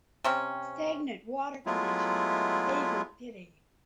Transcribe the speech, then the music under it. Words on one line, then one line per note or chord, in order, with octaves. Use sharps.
Stagnant water conditions favour pitting.
C3 C4 C#4
F#3 G#3 A3 B3 E4 F4